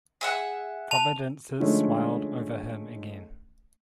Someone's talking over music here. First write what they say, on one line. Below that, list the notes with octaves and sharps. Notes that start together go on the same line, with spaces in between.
Providences smiled over him again.
G#4 E5 F#5
A5 F7
D3 F3 G#3 A3 C#4 D#4